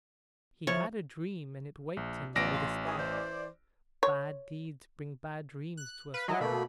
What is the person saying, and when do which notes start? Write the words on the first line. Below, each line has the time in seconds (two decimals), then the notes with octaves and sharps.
He had a dream and it waked him with a start. Bad deeds bring bad dreams to us all.
0.67 F3 E4 C#5
1.97 A#1
2.36 A1 F3 B3 D5 A#6 D7
2.53 F4
2.87 G#4
2.98 E3 C5 D5
4.03 C#5
5.77 F#6
6.14 B4 F5
6.28 F#3 E4 D#5 G#5
6.41 B2 A3 A#3 B5